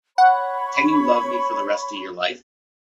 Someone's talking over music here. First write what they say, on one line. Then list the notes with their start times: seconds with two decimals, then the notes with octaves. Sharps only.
Can you love me for the rest of your life?
0.18 C#5 F#5 B5 C#6